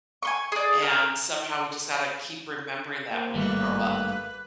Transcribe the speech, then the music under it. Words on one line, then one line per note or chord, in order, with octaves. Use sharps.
and somehow we just gotta keep remembering that when we grow up.
G#5 C6 C#6
G#4 D5
A#4
A#3 C5
G#1 G2 D#3 G3 A3 B4